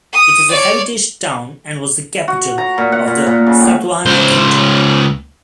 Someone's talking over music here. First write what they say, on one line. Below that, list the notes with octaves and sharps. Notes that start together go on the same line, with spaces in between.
It is a heritage town and was the capital of the Satavahana Kingdom.
D#6
C#5 D5
F#4
A#5
A#2
F#5
A#2
A#2
C#3
A2
C#2 C5